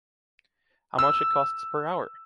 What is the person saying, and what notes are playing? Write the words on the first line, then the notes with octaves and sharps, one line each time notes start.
How much it costs per hour?
E6